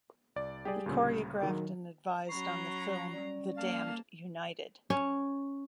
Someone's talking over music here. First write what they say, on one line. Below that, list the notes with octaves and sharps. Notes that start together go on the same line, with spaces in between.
He choreographed and advised on the film "The Damned United".
C2 D5
G3 G4 G#4 D5
D2 A#2 C#3
D#3 F#3
F#3 C#4 A#5 B5 C#6 C7
G3 C#4 D5
A#3 F5 A5
C#4